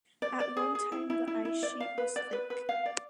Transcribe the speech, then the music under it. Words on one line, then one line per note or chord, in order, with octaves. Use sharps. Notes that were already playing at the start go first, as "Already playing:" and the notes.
At one time the ice sheet was thick.
D5
D5
G#4
G#4
E4
E4
E4
E4
D5
F5
B4
D5
B4
B4
F5
D5